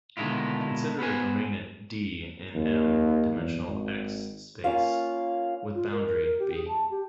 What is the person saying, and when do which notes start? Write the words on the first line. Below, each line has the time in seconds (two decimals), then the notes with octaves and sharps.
Consider a domain "D" in "m"-dimensional "x" space, with boundary "B".
0.17 B2 D3 D#3 G#3 E4 F4
0.99 B3 B4 C5 G#5
2.54 D#2
3.35 E2
3.66 G#1
4.64 A#3 C#4 F4 F5
5.75 F4
5.92 A#4
6.06 A#4
6.25 A#4
6.39 G4
6.54 G#4
6.68 A5
6.91 G4